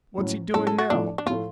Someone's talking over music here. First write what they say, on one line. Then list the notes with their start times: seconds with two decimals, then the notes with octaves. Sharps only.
"What's he doin' now?"
0.17 A2 F#3 C#4
0.54 A2 F#3 C#4 A4
0.67 A4
0.78 F#4
0.90 A2 F3 A3 D4
1.18 D4
1.26 A2 F3 A3 F4